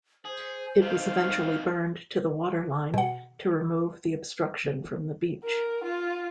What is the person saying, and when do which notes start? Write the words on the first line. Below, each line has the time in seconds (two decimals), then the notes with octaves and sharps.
It was eventually burned to the waterline to remove the obstruction from the beach.
0.25 G#4 C5
0.82 C3 D#3 F5
2.94 B2 F#5
5.45 A#4
5.84 F4